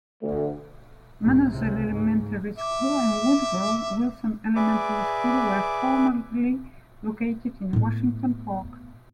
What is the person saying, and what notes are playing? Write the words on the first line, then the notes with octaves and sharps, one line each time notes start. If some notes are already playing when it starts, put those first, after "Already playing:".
Manners Elementary School and Woodrow Wilson Elementary School were formerly located in Washington Park.
D2
B1 G#2
C#2 C3
G#2
E5 D6
G#4 B4 D5 E5 D6
A2 B3